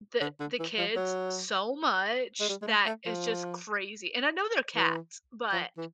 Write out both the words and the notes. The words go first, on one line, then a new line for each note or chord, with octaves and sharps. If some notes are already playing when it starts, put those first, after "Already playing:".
the the kids so much that it's just crazy- and I know they're cats but
D3
D3
E3
F3
F#3
G#3
G3
G#3
A3
A3
F3
E3
F3
E3